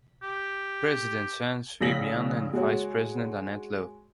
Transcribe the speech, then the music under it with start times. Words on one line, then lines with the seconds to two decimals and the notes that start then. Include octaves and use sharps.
President Chen Shui-bian and Vice President Annette Lu.
0.23 G4
1.81 A#1 A2 C#3 A#6 B6 F#7
2.53 G#3 F#4 C#5